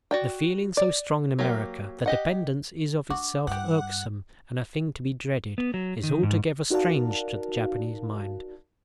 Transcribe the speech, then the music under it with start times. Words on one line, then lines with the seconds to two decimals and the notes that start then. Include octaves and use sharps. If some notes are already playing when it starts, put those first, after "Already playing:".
The feeling, so strong in America, that dependence is of itself irksome and a thing to be dreaded, is altogether strange to the Japanese mind.
0.11 F#4 D5 G5
0.77 D5
1.39 F#3 A#3 G4
2.06 G4 D#5 F#5
3.10 D4 F#4 D6
3.47 G2 E3 G4 F#5
5.58 B3
5.74 F#3
6.03 D#3
6.23 G#2
6.71 D#4 F#4 A#4 D5 F5 A5